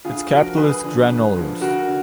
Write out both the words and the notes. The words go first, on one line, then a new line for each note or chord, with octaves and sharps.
Its capital is Granollers.
D2 F4 G#4
D3 F3 F#4 A#4
D2 G#4 B4
D3 F3
D2
D3 F3
D2 F#4 A#4
D3